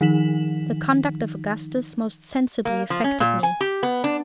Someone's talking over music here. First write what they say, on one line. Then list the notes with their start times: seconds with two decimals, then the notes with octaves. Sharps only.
The conduct of Augustus most sensibly affected me.
0.01 D#3 F3 D#4 B6 E7 F#7
2.65 A#3
2.90 F3
3.04 C#4
3.20 A#2
3.43 G#5
3.61 G4
3.83 B3
4.04 D4